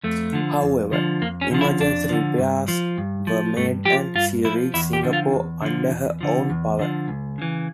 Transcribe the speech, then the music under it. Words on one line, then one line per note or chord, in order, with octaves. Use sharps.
However, emergency repairs were made and she reached Singapore under her own power.
F2 A3
D3 F3
F2
D3 F3
F2 A#3
C#4
D3 F3
E4
F2 D4
D3 F3
G2
F3
G2
F3
G2 A3
F3 G4
G2 F4
F3 E4
E2 E4
G4
D3 F3
F4
E2
D3 F3
E2
D3 F3
E2
D3 F3
C#2
C#3 E3